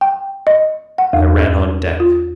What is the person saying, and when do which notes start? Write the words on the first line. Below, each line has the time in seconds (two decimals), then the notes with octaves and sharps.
I ran on deck.
0.01 G5
0.47 D#5
0.98 F#5
1.13 E2
1.40 D#2
2.00 F4